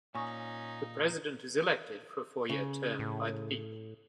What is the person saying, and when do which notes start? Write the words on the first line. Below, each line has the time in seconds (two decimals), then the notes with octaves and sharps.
The president is elected for a four-year term by the people.
0.15 A#2 C#4 D#4 G#5 C#6 D#6
2.49 C#3
2.99 A2